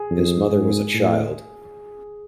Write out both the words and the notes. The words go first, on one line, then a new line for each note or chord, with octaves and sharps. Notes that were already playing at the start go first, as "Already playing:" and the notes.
His mother was a child.
Already playing: G#4
F2
G#2
A2